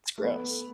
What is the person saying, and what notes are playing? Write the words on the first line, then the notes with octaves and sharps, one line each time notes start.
it's gross.
A3
B3